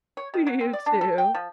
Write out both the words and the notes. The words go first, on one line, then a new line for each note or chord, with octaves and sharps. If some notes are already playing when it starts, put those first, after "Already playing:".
You too.
C#5
D#3
F#3
C4
D5
D4
A4
G5
F3